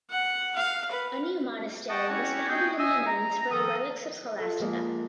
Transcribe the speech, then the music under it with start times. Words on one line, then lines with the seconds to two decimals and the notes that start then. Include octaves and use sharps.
A new monastery was founded in Le Mans for the relics of Scholastica.
0.11 F#5
0.56 F5
0.91 B4
1.89 D#5 F#5 G5 A5 C#6 D#6
2.08 C4 C#4 E4 F#4 G4 C#5
2.49 B3 C4 F#4 G#4 G5
2.78 D#5 E5 G#5 D#6 E6
3.06 A#5
3.51 D#3 F3 A4 D#6
4.39 F4 A4
4.60 F3 G#3 A#3